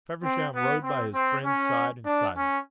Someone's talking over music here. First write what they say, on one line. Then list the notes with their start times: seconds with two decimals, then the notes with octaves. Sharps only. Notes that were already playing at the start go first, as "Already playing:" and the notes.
Feversham rode by his friend's side in silence.
0.23 C4
0.53 B3
0.83 C4
1.14 C4
1.44 C#4
2.05 D4
2.35 C#4